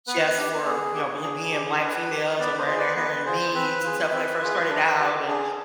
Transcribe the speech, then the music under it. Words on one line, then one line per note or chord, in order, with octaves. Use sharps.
just for, you know, bl being Black females and wearing their hair in beads and stuff when they first started out and,
B3 B4
D4 G4
B3 G#4
D4 G4
D4 G#4
G4
D4 B4
G4
B3 B4 D5
C5 D#5
F4 G#4
B4 D5
B3 B4
F4 G#4 C5
C4 B4
F4 G#4
C4
F4 G#4
D4
G4
D4 G#4